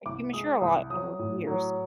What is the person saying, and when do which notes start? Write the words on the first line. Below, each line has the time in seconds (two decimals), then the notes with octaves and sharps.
Like, you mature a lot over years.
0.06 C2 D6
0.33 G#3 D#6
0.61 C2 D#6
0.90 F#3 D#6
1.19 A2
1.47 F#3